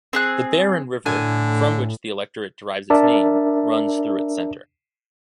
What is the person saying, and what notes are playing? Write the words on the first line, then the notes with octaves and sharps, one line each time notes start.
The Barron River from which the electorate derives its name runs through its centre.
C4 G#4 F#6
A2 D3 G#5
D4 A#4 D5 E5 A5